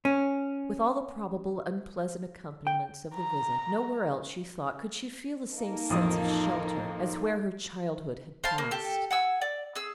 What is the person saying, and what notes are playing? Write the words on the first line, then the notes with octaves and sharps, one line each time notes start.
With all the probable unpleasant accompaniments of the visit, nowhere else, she thought, could she feel the same sense of shelter as where her childhood had passed.
C#4
G5
A#5
A#3 D#4 A4
A1 F2 D#6
C5 F5 A5 C6
A#3
G4 A4
F#5 G#5 E6
D5
G#4 E6